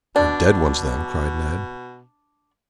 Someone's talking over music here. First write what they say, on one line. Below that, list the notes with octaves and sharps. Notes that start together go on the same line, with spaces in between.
"We're dead ones, then!" cried Ned.
B2 D4